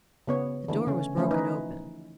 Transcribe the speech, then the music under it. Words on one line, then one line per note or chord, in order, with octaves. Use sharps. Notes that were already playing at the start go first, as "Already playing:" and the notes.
The door was broken open.
C#3 B3 C#5
D3 E3 A3
C#3 C#4
E3 F3 A3 C#4 E4
D#4 B4